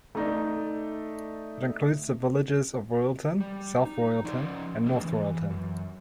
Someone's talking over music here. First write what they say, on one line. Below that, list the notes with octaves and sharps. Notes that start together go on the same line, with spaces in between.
It includes the villages of Royalton, South Royalton, and North Royalton.
A3 D#4 D5
G3
D#4
F3 C#4 D#4 D5
C#3 F#3 G#3 A#3 D4
E3
F#2